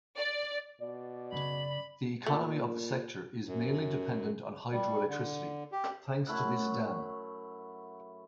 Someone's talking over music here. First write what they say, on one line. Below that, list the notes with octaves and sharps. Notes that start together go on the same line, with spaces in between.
The economy of the sector is mainly dependent on hydroelectricity thanks to this dam.
D5
B2 D5
F#2 A#2 C#3 B5
A#2 A3
F#2
G3
D3
G4
F#2 A3 E4 F#5